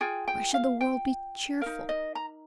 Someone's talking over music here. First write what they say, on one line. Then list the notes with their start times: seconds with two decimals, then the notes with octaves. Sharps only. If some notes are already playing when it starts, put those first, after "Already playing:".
Why should the world be cheerful?
0.01 F4 G#4 G5
0.28 G5
0.54 F5
0.81 G5
1.61 D#4 A#4 F5
1.89 D#5
2.15 A#5